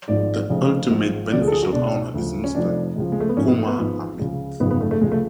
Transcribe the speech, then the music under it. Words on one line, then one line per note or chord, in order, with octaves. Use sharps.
The ultimate beneficial owner is Mr Kumar Amit.
G#1 G#2 F3 D5
F1 F2 C#3 F3
G#1 G#2 F3
D2 D3 F3 D5
G#4
A4
G#4
F#4
C#2 B2 D4
D2 C#3 F3
C#4
F1 F2 F3 D4
C#2 C#3 F3
G#3
A3
B3
G#1 G#2 F3 C#4
B3
A3
B3
G#1 G#2 F3
C#2 C#3 F3
G#1 F#2 C#3 F3 B3
B3
A3
A3
C#2 C#3 F3 G#3
A3